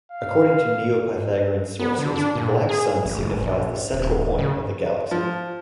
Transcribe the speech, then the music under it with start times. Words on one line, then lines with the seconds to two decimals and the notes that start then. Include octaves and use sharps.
According to neopythagorean sources, the Black Sun signifies the central point of the Galaxy.
0.12 F5
1.79 B3
1.98 D3
2.16 D4
2.35 A#2
2.69 G#4
3.05 A1
3.18 F#1
3.43 A#1
3.94 D#1
4.39 C#3
5.11 F3